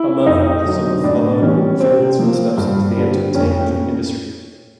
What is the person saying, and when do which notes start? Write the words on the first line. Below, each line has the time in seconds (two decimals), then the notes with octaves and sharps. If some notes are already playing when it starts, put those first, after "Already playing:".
Among them, some have followed in the family's footsteps into the entertainment industry.
Already playing: E4
0.26 F2 D#4
0.65 D3 F#3
1.03 A2 D4
1.42 E3 G3 B3 C#4
1.80 C3 C4
2.19 F3 A#3
2.58 G2
2.96 D3 G3
3.35 F2 C#4